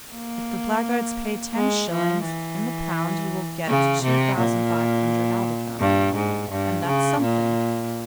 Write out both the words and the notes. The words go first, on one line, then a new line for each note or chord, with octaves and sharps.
If the blackguards pay ten shillings in the pound you will get two thousand five hundred out of them, and that's something.
A#3
G#3
F3
E3
C#3
C3
A#2
G2
G#2
G2
C#3
A#2